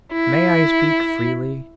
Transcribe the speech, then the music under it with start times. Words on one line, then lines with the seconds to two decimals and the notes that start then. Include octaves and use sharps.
May I speak freely?
0.13 E4